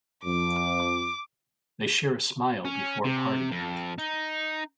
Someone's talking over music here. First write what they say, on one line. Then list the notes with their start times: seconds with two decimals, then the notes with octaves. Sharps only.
They share a smile before parting.
0.25 F2 D6
2.65 C#4
3.04 C3
3.51 F2
3.98 D#4